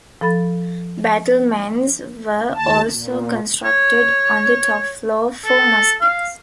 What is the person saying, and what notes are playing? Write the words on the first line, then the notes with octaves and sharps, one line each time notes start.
Battlements were also constructed on the top floor for muskets.
F3 A4 B5 A6
D#2 A5
A#2
C#5
A4
F5